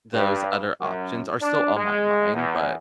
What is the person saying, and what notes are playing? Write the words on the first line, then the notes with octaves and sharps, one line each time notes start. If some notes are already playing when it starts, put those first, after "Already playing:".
those other options are still on my mind, but
G2
F#2
D4
G#3
E2